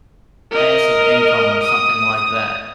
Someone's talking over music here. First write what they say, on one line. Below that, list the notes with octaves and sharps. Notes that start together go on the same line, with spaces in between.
passive income or something like that?
A#4 D#5
D#6